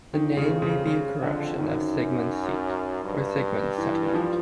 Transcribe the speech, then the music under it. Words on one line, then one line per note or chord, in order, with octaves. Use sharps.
The name may be a corruption of "Sigemund's seat" or "Sigemund's settlement".
F2 D#3
C#3
C#3
C#3
F2 D3
F#2 D#3
G2
E3
E3
F3